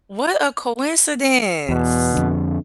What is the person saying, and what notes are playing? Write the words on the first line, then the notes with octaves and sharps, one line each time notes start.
What a coincidence.
E2 B2
F2 D3